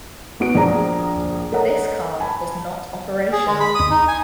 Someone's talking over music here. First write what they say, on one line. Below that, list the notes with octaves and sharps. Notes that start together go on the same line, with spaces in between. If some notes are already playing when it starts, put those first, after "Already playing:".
This car was not operational.
B3 F#4 D7
A#1 G#4 D5 A#5
A4 A#4 C#5 D#5 F#5 A#5
G#5 A5 B5
G#4
G#3
B5
D#6
D#4
G#5